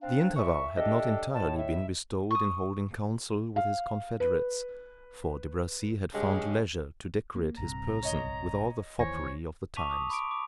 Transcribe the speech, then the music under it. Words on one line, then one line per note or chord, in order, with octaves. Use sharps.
The interval had not entirely been bestowed in holding council with his confederates, for De Bracy had found leisure to decorate his person with all the foppery of the times.
C4 D4 F5
A#2 E5 C#6
D4 G4 A4 D#5
A2 A5
E5
C#6 D#6
F5
B4
G2 C#3 G#3
A#3
A#1 G2 C3 A#5
C#5 D#5 G7
D#2 E3 C5 C#5 G#5 A#6
A5 C#6 D6 B6 D#7 F7
D6 D#6
B5 C#6 D6 D7
D6